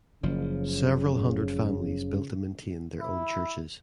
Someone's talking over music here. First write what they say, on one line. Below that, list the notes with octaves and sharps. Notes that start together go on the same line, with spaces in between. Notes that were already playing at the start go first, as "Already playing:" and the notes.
Several hundred families built and maintained their own churches.
F#1 C#3 F3
E4